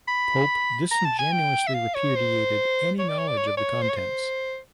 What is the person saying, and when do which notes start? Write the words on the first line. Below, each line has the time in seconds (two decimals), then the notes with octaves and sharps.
Pope disingenuously repudiated any knowledge of the contents.
0.08 B5
0.91 A#5
1.05 A5
1.19 G#5
1.33 G5
1.67 E5
1.74 F5
1.95 C#5
2.16 C5
2.99 C#5
3.09 D5
3.18 C#5
3.28 D5
3.37 C#5
3.47 D5
3.57 C#5
3.82 C5
3.89 C#5
3.96 C5